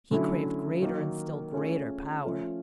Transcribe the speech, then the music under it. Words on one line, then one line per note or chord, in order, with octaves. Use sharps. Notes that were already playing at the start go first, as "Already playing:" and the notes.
He craved greater and still greater power.
D3 F#3 A3 C#4 E4
D#3 F#3 A#3
A3 C#4 F4 G#4
F3 A3 C#4 F4